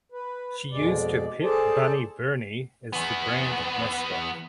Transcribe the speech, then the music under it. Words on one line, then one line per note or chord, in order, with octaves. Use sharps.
She used her pet bunny Bernie as the brand mascot.
B4
F2 B2 G#3 D5
G#4 A4 C5 D5 A5
E2 B3